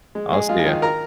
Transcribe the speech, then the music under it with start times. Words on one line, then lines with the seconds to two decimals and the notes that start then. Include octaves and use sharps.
I'll see ya.
0.15 G#3
0.32 G#3 G#4
0.49 G#3 F4
0.59 G#5
0.66 D#3 F4 F5
0.82 A#4 A#5